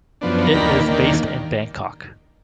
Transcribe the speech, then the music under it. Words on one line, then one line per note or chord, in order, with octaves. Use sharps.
It is based in Bangkok.
F#2 F3 B3 D4
A#5
D#2 D#3 A#3 D4 B5
D#2 D#3 A#3 D4